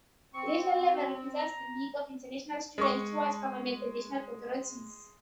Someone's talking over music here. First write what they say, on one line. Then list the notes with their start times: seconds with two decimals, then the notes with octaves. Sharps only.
The national level represents the needs of international students towards governments and national authorities.
0.34 C4 C#6
0.71 F#4
1.38 A#5
2.78 G#3 C#6